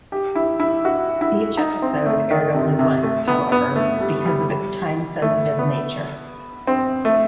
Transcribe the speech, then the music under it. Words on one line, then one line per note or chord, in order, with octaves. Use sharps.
Each episode aired only once, however, because of its time-sensitive nature.
G4
E4
E4
F#4
E4
D#4
C4
A3
D#3
C3
C3
A3
B3
B3
A3
G3
G3
G3
A3
B3
C4
A3